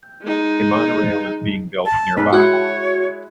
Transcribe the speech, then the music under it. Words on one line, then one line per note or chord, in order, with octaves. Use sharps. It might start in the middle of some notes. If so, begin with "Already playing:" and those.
A monorail is being built nearby.
G#3 D#4
A5
B1 G#2 B4
G#3 E4 F#4 C#5 F#6